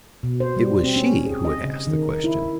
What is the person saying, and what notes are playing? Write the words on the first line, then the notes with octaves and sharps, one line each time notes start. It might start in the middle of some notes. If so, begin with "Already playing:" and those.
It was she who had asked the question.
B2
C5
G3
C4
C#4
G#4
D#5
C#3
D#3
E4